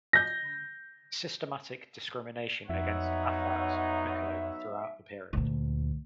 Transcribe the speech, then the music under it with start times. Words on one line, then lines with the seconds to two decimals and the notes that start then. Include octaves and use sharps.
Systematic discrimination against Afars occurred throughout the period.
0.13 G6 A#6
2.69 F2 F#3 B3 D#4 C#5 E5 F#5
5.33 D2 A#2